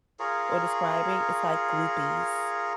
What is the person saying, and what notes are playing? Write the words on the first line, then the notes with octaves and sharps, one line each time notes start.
or describing, it's like groupies.
F4 G#4 A#4 C#5